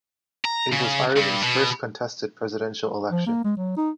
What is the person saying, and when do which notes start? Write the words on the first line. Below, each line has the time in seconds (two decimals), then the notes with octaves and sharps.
It was Ireland's first contested presidential election.
0.45 A#5
0.73 C#3
1.17 G2
1.43 B2
3.12 F3
3.26 A#3
3.44 G#3
3.57 F#3
3.77 D#4